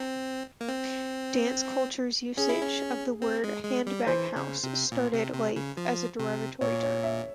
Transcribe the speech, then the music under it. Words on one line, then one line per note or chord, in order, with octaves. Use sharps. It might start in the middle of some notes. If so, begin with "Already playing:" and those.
Dance culture's usage of the word 'handbag house' started life as a derogatory term.
Already playing: C4
A#3
C4
C#4 G#4
E4
C#4
C4
G#3
G#3
G3
E3 C5
C#3
C3
A#2
C3
C3
C#3
F3
C3
A#2 C#5
C#5
E5